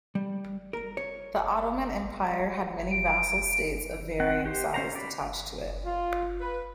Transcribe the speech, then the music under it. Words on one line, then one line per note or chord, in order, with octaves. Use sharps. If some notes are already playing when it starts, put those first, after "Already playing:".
The Ottoman Empire had many vassal states of varying size attached to it.
G3
A#4
C#5
D7
C4 F#5
G4 C5
C#4 C5 A#5
D5 B5
F4
B4